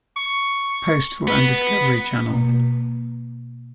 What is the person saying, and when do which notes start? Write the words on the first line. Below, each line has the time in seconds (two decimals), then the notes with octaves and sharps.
Postal and Discovery Channel.
0.16 C#6
1.28 B3 B4
2.30 B2 A#3